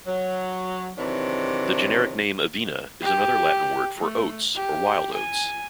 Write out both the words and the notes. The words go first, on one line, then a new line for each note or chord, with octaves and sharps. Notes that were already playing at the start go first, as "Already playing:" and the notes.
The generic name "Avena" is another Latin word for "oats" or "wild oats".
F#3
C3 D#3 E3 F#3 D4
G4
A3
G4
G#5